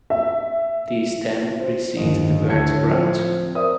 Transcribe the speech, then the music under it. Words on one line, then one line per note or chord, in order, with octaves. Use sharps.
These then reseed the burnt ground.
E5
C5
G1 D#2 D#5
D2 A2 A4 C#5 G#6 C#7
F3 C4
A#4 C5 D5 E5 D#6